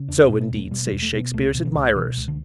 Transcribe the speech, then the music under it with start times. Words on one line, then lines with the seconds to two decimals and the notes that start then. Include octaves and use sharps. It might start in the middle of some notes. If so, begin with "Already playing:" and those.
So, indeed, say Shakespeare's admirers.
Already playing: C#3
0.08 E2 D4
0.24 C#4
0.29 B2
0.40 B3
0.50 E2 A3
0.71 B2 G3
0.86 G3
0.92 E2
1.02 A3
1.13 B2 B3
1.34 C#2 A3
1.54 B2 D3
1.65 E3
1.75 C#2
1.96 B2 E3
2.17 C#2
2.28 D3